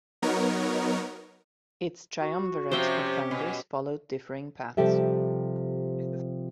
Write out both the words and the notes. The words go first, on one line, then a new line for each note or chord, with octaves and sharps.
Its triumvirate of founders followed differing paths.
F#3 B3 D#4 A#4 C#5
F#4
C3 F3 C#4 G4 C5 E5 G5
B2 G#5
C3 F3 G3 G4 A4 E5